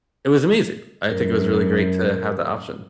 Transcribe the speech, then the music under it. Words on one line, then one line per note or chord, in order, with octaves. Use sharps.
It was amazing. I think it was really great to have the option.
F#2 A#4